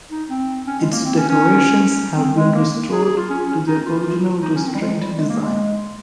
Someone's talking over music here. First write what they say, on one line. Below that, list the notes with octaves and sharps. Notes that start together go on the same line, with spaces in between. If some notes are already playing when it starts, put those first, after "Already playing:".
Its decorations have been restored to their original restrained design.
D#4
C4
C#4
G#3
A#3
C4
C#4
C#4
C4
G#3
A#3
G#4
G#4
F4
C#4
C#4
D#4
F4
D#4
C#4
C4
G3
G#3
G3
G#3
A#3
G#3